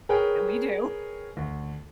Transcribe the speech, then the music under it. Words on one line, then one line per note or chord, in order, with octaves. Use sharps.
And we do.
G#4 A#4 B4 C#5 G5
D2